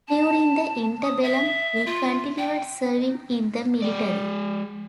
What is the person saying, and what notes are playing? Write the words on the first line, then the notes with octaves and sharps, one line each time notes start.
During the interbellum he continued serving in the military.
A5
D#6
E5
F4
G5
G#3 D5